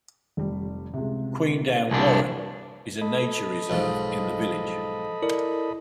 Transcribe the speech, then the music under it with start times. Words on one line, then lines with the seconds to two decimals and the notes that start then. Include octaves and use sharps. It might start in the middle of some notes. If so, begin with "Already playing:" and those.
Queendown Warren is a nature reserve in the village.
0.37 F1 G3
0.94 C#2 C3
1.91 C2 D4 G#5 B5
3.01 A4 D#5 B5
3.69 B1 G#2 F3
5.22 E4 A#4 D5